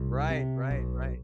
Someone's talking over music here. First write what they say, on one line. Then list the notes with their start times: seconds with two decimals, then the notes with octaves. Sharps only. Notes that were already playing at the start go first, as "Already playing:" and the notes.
Right, right, right.
Already playing: C2
0.30 C3
0.71 B1